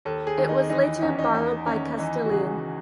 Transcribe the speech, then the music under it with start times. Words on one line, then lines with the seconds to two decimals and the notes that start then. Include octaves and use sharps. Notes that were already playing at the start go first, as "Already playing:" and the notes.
It was later borrowed by Castilian.
0.05 D#2 A4
0.27 G#4
0.38 D#3
0.49 D#4
0.70 E3 D#4
1.02 E2 C#4
1.19 D#4
1.34 E2 D#4
1.66 D#3 C#4
1.98 E3 D#4
2.26 F#4
2.31 C#2 G#4